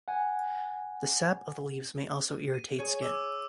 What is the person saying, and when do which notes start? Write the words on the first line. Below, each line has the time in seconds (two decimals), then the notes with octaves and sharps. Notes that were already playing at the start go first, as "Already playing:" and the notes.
The sap of the leaves may also irritate skin.
0.08 F#5 G#5
2.54 D#7
2.79 G#4 C#5
3.02 D6 E6 E7